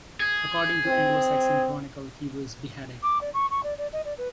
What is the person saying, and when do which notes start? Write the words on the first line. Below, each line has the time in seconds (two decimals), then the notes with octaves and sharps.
According to the "Anglo-Saxon Chronicle", he was beheaded.
0.20 G#4
0.87 C4
3.02 D6
3.21 D5
3.34 C#6
3.51 C#6
3.63 D5
3.78 D5
3.93 D#5
4.05 D5
4.18 B4